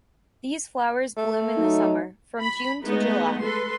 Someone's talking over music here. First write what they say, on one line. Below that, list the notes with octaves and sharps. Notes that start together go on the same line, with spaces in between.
These flowers bloom in the Summer, from June to July.
A3
F#3 D#4
B5
G#3 A3 B3 D#4 D#5
A4 B4 C6